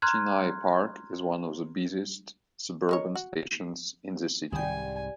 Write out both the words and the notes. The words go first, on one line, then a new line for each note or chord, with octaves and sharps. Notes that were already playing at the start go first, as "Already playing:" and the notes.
Chennai Park is one of the busiest suburban stations in the city.
A#5 C6 F6 F#6 G#6
D#4 A#4 C#5
F#4
C2 G#2 D#3 G3 G5 G#5